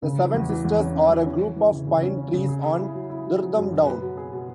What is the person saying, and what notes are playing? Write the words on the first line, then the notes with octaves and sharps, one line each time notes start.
The "Seven Sisters" are a group of pine trees on Durdham Down.
C#3
E3
E2
E3
E2
C#4
C#4
E3
C#4
E3
E3
C#3
C#3
C#4
C#4
C#3
G#4
G#4
E4
F#3
E4
F#3
F#3
F#2
B2
B4
B2
G#4
B2